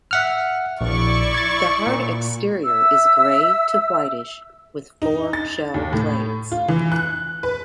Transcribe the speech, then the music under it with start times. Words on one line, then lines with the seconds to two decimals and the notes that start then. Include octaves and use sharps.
The hard exterior is grey to whitish with four shell plates.
0.11 E5 F#5 F6
0.81 A#1 E4 D5 C#6
1.34 G#6 A6
1.87 A#2
2.65 E5 E6
5.02 D#4
5.33 A6
5.74 D#2
5.93 A2
6.52 F4
6.68 E3
6.92 F#6
7.43 B4